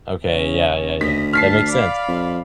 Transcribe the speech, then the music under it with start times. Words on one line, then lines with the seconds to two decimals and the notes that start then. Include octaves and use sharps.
Okay, yeah, yeah, yeah. That makes sense.
0.23 C#3 C#4
1.01 D2 D#5 B6
1.33 A5 F6 B6 C7
1.69 D5 F5 B5
2.09 F2